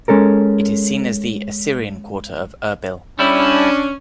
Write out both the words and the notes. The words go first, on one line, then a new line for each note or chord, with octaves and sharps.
It is seen as the "Assyrian Quarter" of Erbil.
G#3 C#4 A4 A#4
G3 C#4 D4 E4